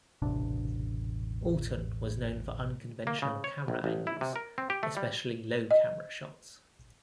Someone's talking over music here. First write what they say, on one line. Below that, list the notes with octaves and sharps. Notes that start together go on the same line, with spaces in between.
Alton was known for unconventional camera angles-especially low camera shots.
E1 A1 C3 D4
A#3
C#3
C#5
A#1
A1
E4
C3
A#4
C4
G4
A3
G3
D#5